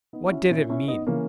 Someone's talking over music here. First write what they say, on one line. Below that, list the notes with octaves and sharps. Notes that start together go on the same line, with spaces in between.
What did it mean?
B3 D#4
F#4
C#4 E4
A#2 C#4 E4
C#4 E4
B3 D#4
C#3 E3 A#3 C#4